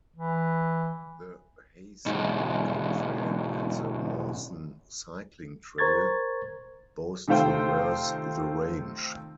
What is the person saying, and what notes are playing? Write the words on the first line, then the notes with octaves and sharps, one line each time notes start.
The Heysen Walking Trail and the Mawson Cycling Trail both traverse the range.
E3
B1 G#2
A#4 C5 A#5 C#6 G#6 A6
C3 D#3 A3 F4 C5 G5